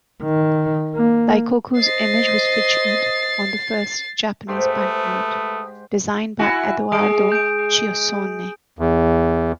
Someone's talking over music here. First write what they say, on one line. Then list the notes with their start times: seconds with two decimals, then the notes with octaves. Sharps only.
Daikoku's image was featured on the first Japanese bank note, designed by Edoardo Chiossone.
0.23 D#3
0.95 A#3
1.77 C5 D#5 A6 C7
4.48 G#2 A3 G4 B4 C5 D#6
6.39 E4 F#4 G#5
6.92 G#3 D#6 D7
7.32 G6 D7
8.79 E2